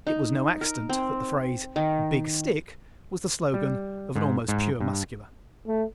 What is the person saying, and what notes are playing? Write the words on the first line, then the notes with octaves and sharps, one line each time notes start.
It was no accident that the phrase "big stick" was the slogan of an almost pure Muscular.
D#4
A#4
C4
D#3
G3
G#2
G#2
G2
A3